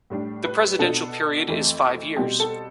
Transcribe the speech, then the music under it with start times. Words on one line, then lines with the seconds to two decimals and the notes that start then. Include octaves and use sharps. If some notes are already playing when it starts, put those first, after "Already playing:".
The presidential period is five years.
0.10 A2 G3 D4
0.45 B4
0.79 B2 B3 D4 A4
1.47 F2 E3 A3 C4
2.16 B2 G3 C4 G4
2.40 A4